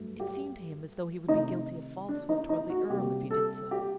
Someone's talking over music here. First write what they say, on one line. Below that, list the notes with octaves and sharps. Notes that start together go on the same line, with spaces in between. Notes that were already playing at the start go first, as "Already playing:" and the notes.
It seemed to him as though he would be guilty of falsehood towards the earl if he did so.
Already playing: G2 F#3 A3
G4
C3 D#3 A3 D#4
D4
D#4
D#4
F#4
C3 G3 A#3 G4
A4
G4